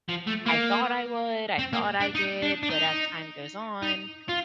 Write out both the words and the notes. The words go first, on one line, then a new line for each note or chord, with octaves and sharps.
"I thought I would. I thought I did." But as time goes on,
F3
A3
A#3
C4
A#3
D4
D#4
D4
D4
D#4
D#4
F4